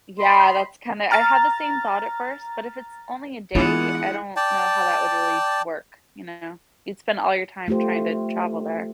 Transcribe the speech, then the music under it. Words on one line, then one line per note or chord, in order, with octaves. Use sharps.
Yeah, that's kinda I had the same thought at first, but if it's only a day, I don't know how that would really work, you know? You'd spend all your time trying to travel there.
D#5 B5 C6
A#5 F6 A6
E3 G#3 B3 D4 E4 F4 F#5
D5 G5 A5
A3 F4 G4 C5